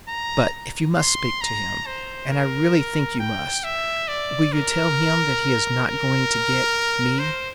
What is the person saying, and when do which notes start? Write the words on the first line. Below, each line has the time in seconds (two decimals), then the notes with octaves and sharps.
But--if you must speak to him--and I really think you must!--will you tell him that he is not going to get--me?
0.08 A#5
0.97 C6
1.41 A#5
1.87 C5
2.30 A#4
3.20 G5
3.64 E5
4.08 D5
4.53 A#4
5.86 A#4
7.19 C5